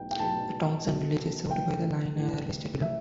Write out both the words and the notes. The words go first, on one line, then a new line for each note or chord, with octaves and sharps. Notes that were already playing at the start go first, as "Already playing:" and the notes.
The towns and villages served by the line are listed below.
Already playing: B1 B2 G5
G5
B1 B2 A5
B1 B2
A1 A2 E3 G5
A1 A2 E3
A2 E5